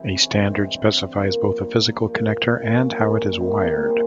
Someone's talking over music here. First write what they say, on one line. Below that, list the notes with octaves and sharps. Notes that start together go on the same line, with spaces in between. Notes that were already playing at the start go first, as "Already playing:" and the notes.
A standard specifies both a physical connector and how it is wired.
Already playing: C3 E3 G#3 E4
C#4
E3 G#3
C4
G2
F3 A#3
G2
F3 A#3
A#2 C4
C#4
G3 A#3
C#4
A#2 C4 E4
G4 A#4
G3 A#3
G#4 C5